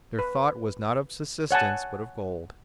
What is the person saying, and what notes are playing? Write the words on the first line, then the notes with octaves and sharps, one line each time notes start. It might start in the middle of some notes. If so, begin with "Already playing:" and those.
Their thought was not of subsistence, but of gold.
B4
C#5 F#5 G#5 A5